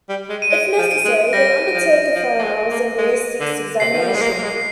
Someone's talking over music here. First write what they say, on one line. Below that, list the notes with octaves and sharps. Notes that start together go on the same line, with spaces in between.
If necessary, they undertake a firearms and ballistics examination.
G3
G#3
D#7
G#3 D7
F3
D7
G#3
G3 A#6
F3
F3
A#3
G#3
A#3
G#3
D3
C3 C7
D#3
F3
G3
G#3
A#3 C7
A#3
G#3